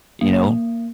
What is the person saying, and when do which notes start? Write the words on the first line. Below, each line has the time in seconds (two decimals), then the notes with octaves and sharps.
You know,
0.21 A#3